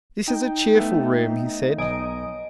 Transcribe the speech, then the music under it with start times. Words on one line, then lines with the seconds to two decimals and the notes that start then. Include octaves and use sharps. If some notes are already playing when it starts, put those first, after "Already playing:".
"This is a cheerful room," he said.
0.28 D#4 G5
0.75 A3 B3
1.78 B1 D#5 G#5 D#6 D7